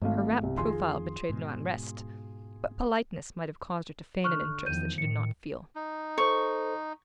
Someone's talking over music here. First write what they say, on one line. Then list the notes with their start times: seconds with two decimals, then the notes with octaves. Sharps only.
Her rapt profile betrayed no unrest, but politeness might have caused her to feign an interest that she did not feel.
0.02 G#1 G#2 A3 F5
0.43 C2 C3
0.58 F2 D#3 F4 G#4 C6
1.29 G#2 B2
4.24 D3 C#6 F6 F#6
4.66 E2 D#3 F3 G6 D#7
4.98 A2 D#3 C#7
5.75 D#4
6.18 A4 C5 C#6